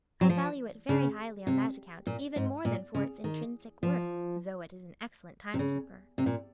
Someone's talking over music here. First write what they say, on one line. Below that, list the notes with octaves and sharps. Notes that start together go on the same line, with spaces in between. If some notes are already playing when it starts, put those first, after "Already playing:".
"I value it very highly on that account even more than for its intrinsic worth; though it is an excellent time-keeper."
F#3
F3
C#3
C3
A#2
G#2
A#2
C#3
D#3
F3
C3
C#3
C3
A#2